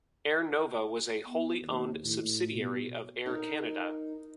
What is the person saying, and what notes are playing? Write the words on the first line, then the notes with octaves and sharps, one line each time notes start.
Air Nova was a wholly owned subsidiary of Air Canada.
B3
D#2
A2
B2
D#4 A#4